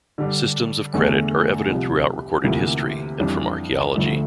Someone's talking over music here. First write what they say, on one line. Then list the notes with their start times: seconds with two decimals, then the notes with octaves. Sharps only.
Systems of credit are evident throughout recorded history and from archeology.
0.18 D3 G3 D4
0.94 E2 D3 A3 D4
1.69 C2 C3 F3
2.44 D2 C3 E3 A#3 F4
3.20 F2 E3 G3 D4
3.95 D2 D3 F3 A3